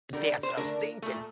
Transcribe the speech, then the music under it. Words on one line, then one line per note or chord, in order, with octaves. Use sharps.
That's what I was thinking.
D3 G3 A#4
C5
D3 A3 A#4
A#2 A3